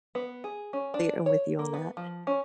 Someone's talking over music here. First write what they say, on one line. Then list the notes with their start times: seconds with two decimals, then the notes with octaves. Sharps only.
am with you on that.
0.15 B3
0.44 G#4
0.73 C#4
0.94 D4
1.26 C#5
1.59 A#3
1.74 B3
1.97 F3
2.27 C#4